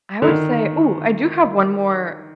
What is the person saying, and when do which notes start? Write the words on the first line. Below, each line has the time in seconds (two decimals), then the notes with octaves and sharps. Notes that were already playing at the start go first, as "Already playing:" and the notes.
I would say ooh, I do have one more
0.22 D3
0.28 D#3